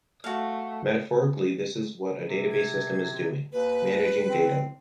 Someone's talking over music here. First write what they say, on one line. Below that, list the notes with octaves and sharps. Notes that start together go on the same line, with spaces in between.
Metaphorically this is what a database system is doing - managing data.
A3 F#4 F5
C3
G#6
D#2 B4
C4